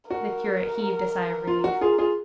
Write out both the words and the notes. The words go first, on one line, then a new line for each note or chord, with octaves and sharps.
The curate heaved a sigh of relief.
F#4 A#4
F4
F#4
F4 G#4
F4 G#4